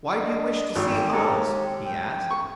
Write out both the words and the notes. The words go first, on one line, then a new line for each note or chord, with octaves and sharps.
"Why do you wish to see Oz?" he asked.
D4 D#5
G#1 G3 G4
D#2 G#3 G4 A4 A#4
G5
C#6